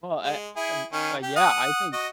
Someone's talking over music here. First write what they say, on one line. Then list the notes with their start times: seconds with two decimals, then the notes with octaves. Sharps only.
Well, I I w I yeah, I think
0.23 G#3
0.56 E4 G#4
0.93 D#3 C#4
1.22 G4
1.36 F#5 D#6
1.93 F#4 D#5